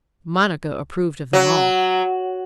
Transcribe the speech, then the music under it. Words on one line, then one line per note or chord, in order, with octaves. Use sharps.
Monica approved of them all.
F#3